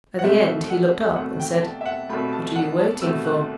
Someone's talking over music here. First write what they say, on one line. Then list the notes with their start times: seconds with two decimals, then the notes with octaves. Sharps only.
At the end, he looked up and said, 'What are you waiting for?'
0.19 F#5
0.24 C2 B2 A3 E5
0.70 F#5
1.16 C2 B2 A3 F#5
1.40 G5
1.63 A5
1.81 E5
1.86 F#5
2.09 C2 B2 A3 B5
2.33 A5
2.56 F#5
2.79 A5
3.02 C2 B2 A3 E6
3.25 F#6